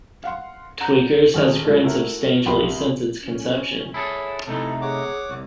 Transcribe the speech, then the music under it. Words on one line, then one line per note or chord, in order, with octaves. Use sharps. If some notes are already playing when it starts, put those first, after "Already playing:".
Tweakers has grown substantially since its conception.
F5 F#5 C6
F#5 A#5 G6
D#1 G#1 G#4 A4 F6
A#2 G#3 A3
A3 E4 F#4 A#4
A#1 C3 G4 B5 C6
C#4
E4 G#4 A4 C#5
C3 A3 D#4 E4 A4
G#4 C#5 F#5 D6
C2